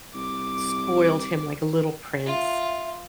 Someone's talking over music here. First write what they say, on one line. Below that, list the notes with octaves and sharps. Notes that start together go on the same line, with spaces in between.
spoiled him like a little prince.
C2 D6
F4 E5